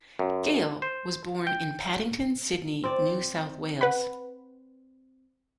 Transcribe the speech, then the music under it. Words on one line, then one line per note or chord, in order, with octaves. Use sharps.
Gale was born in Paddington, Sydney, New South Wales.
F#2
C5
G5
C4 D5
B4 F#5 B5